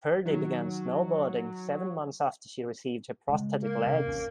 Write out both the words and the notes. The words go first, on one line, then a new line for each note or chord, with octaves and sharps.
Purdy began snowboarding seven months after she received her prosthetic legs.
D#3 F#3
C#3 G#3
A#3
C3
A1 D#2 C#4